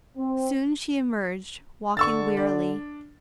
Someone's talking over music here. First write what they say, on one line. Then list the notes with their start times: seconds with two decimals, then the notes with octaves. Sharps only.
Soon she emerged, walking wearily.
0.17 C4
1.97 D3 C#6 E6 A6
2.37 D4